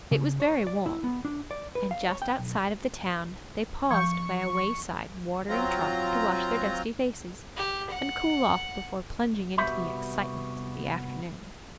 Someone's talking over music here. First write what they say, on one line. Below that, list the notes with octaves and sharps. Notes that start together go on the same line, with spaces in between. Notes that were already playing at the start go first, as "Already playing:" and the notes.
It was very warm; and just outside of the town they paused by a wayside watering-trough to wash their dusty faces, and cool off before plunging into the excitements of the afternoon.
C#3
C#5
D5
E4
B3
D4
D5
B4
F5
C#5
G5
B1
F3 C#6 G6
F#3 C4 F4 A#5
G4
F#5
C2 B3 F#4 G4 E5 B5